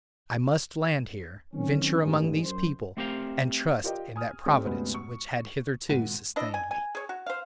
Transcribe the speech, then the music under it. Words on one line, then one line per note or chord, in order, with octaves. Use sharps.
I must land here, venture among these people, and trust in that Providence which had hitherto sustained me.
D#3 F#3 C4 C#4
A1 G2 G#3
F#2 C5
A3 C4 G4 A#4 C5 F5
F4 G4 A#4 D5 D#5 G5
G#5 D#6 F6
G#3 C4 C#4 G4 A4 D5
D2 G2 C3 G#3 B3 C#4
C#6
G#1 A#2 F#5 D#7
D4 E4 D#5 E5
G#5
G#5
G#4 C#5
F#4
C5 F5